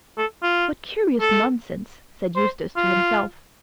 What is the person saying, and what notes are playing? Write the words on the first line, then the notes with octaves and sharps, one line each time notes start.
"What curious nonsense!" said Eustace to himself.
A4
F4
A4
C5
F4